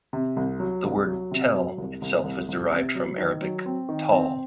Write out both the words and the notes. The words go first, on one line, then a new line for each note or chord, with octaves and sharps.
The word "tell" itself is derived from Arabic "tall".
C3
C2
F#3
C2
F#3
C3
F#3
C2
C2
C2
C2
C3
F#3
D#3
F#3
C4
D#3
C4